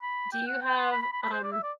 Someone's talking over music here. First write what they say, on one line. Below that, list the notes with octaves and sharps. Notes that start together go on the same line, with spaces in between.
Do you have, um,
B5
G5
F#5
G5
C6
B5
B5
B5
B5
C5
D5
E5
D5